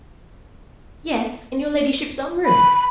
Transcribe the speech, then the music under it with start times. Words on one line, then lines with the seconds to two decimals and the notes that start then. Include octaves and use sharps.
"Yes, in your ladyship's own room."
2.46 B5